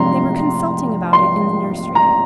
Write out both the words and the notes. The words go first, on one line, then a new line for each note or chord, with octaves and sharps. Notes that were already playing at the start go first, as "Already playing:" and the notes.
They were consulting about it in the nursery.
Already playing: C3 F3 D4 A#5 C6
C6
A#5